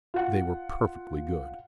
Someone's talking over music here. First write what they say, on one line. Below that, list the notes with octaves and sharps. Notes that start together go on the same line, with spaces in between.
They were perfectly good.
F4 F#5